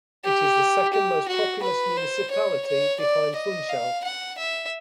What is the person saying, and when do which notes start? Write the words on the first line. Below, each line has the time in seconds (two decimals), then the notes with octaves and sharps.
It is the second most populous municipality, behind Funchal.
0.25 G4
0.93 G4
1.28 F#4
1.63 B4
1.97 C5
2.31 C#5
2.66 C#5
3.00 D5
3.35 D#5
3.69 F5
4.04 F#5
4.38 E5